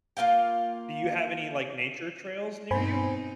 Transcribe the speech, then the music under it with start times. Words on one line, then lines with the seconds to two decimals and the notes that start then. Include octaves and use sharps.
Do you have any, like, nature trails near you?
0.17 A#3 F4 F5 G5
2.71 G2 B2 C4 D#4 C5 G#5 B5